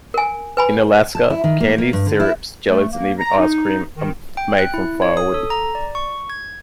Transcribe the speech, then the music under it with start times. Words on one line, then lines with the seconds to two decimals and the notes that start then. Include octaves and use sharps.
In Alaska, candies, syrups, jellies, and even ice cream are made from fireweed.
0.14 A#4 G#5
0.57 B4 G#5 B5
1.15 A5
1.30 E4
1.44 D#3
1.60 A#3
1.78 A#3
1.93 G2
2.06 D3
2.20 E4
2.67 A3
2.91 A#3
3.18 A#5
3.37 D#4
3.97 D#3
4.37 G5
4.59 F#6
4.74 E4
5.02 C#5
5.17 D#6
5.34 A4
5.50 A#5
5.75 D5
5.95 C#6
6.30 G#6